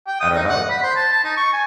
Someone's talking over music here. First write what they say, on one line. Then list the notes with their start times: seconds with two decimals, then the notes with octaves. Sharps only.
at our health.
0.07 G5
0.20 D#6
0.34 D#4
0.49 F#5
0.70 B5
0.83 C5
0.96 A5
1.12 A5
1.24 D#4
1.37 C#6
1.53 G#5